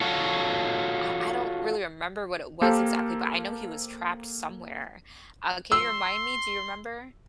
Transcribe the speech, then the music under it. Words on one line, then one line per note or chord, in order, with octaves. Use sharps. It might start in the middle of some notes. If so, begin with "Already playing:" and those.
I I don't really remember what it was exactly, but I know he was trapped somewhere, uh, can you remind me? Do you remember?
F4 F#4 A4 C#5
A#3 G4 A4 A#4 C5 F5
C6 E6